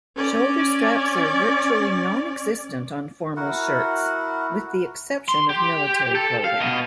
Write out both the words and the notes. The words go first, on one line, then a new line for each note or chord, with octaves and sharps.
Shoulder straps are virtually non-existent on formal shirts, with the exception of military clothing.
C#4 D5
E4 F#4 A#4 F#5
C6
G4
A4
F5
B2 D#5